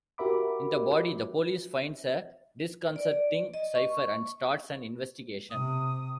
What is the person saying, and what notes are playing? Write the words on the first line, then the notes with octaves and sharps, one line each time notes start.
In the body, the police finds a disconcerting cipher and starts an investigation.
F#4 G4 A#4 E5 B5 D6
D5
D#5
C#6
C3 D#6